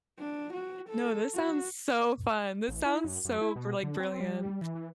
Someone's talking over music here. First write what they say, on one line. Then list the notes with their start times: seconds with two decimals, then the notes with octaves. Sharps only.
No, this sounds so fun. This sounds so brilli brilliant.
0.19 D4
0.54 F#4
0.89 A4
1.34 F#4
2.69 A1
2.86 E4
3.05 F#2
3.25 F#2
3.41 E4
3.56 B2
3.83 D3
4.00 C4
4.20 G3
4.41 G3
4.61 E3
4.75 E3